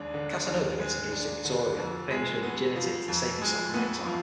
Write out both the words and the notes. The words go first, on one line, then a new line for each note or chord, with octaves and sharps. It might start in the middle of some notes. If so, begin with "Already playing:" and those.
Casanova gets engaged to Victoria, famous for her virginity, to save himself from exile.
Already playing: D#2 G#3 D4
D3
D#2
G#3
D4
D3
F2
G#3
B3
F3
F2
G#3
B3
F3